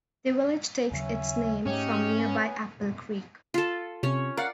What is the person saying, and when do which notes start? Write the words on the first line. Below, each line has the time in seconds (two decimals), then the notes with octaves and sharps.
The village takes its name from nearby Apple Creek.
0.91 D#2 C#3 F#3 C#4 E5 G#5
1.66 G#2 A3 C#4 D#4 G4
2.19 B3 C#5 G#5
3.54 F4 A4
4.03 C3 C#4 C#5
4.37 A#4 D5 F5 F#5